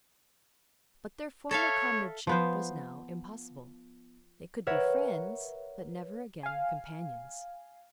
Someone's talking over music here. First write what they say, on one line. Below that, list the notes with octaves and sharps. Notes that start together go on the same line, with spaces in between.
But their former comradeship was now impossible; they could be friends, but never again companions.
A4 C#5 E5 F5
F3 B3 C5
A#4 B4 C#5 E5 F#5
F5 G#5